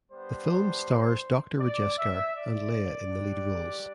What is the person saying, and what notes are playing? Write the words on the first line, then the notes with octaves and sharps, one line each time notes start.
The film stars Doctor Rajasekhar and Laya in the lead roles.
G3 B3 D4 C5
D5
E5
D5
G3 D4 G4